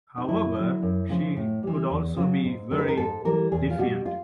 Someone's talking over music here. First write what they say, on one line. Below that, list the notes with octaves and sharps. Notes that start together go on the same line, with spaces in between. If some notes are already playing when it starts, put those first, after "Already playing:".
However she could also be very defiant.
D#4
F#2 E4
D3 F#3
F#2
C#3 F3 G#3
A2
E3 G3
E2
C#3 F#3
G#2
D#3 G#3
B4
A#4
G#2 A4
E3 G3 A#4
E2 G#4
F4
B2 G3 F#4
F4